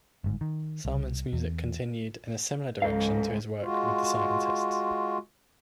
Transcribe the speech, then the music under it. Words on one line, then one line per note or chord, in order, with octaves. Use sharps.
Salmon's music continued in a similar direction to his work with the Scientists.
G1 G#2
D#3
C2
E2
C#2 G#2 A4 F5
G#3 F4 F#4